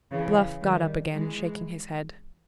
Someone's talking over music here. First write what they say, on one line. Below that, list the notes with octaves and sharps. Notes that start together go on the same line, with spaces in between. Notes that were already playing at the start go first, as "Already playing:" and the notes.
Bluff got up again, shaking his head.
C#3 E3
D#3 G3
E3 G#3